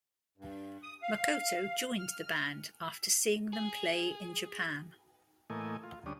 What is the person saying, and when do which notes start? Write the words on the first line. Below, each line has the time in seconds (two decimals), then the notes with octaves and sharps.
Makoto joined the band after seeing them play in Japan.
0.38 G2
0.83 D#6
1.02 F5
1.98 F6
3.53 G#4
5.50 A2 E3 A3 A#3 D#5 G#5
5.83 F4
6.06 D2 G3 C#4 D4 D#6